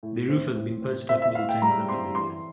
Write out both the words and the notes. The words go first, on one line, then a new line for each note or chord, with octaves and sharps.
The roof has been patched up many times over the years.
A2
C4
A2
C4
C4 E5
E5
A2 F5
G5
G3 A#5
C4 C6
E3 C6